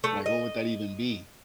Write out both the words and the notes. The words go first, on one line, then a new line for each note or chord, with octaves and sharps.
Like, what would that even be?
A3
D#5